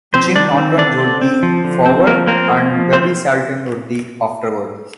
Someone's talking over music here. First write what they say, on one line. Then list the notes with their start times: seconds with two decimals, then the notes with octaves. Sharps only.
Jim Norton wrote the foreword, and Bobby Slayton wrote the afterword.
0.14 F3 C4 C5
0.36 D#3 D4 D5
0.58 C4
0.78 D3 D4 D5
0.99 C4
1.21 C4
1.43 F3
1.64 D3
1.86 C4
2.07 F3 A#3 A#4
2.27 A#3 C4 A#4
2.50 A#3
2.71 F3
2.93 A#3 C4 C5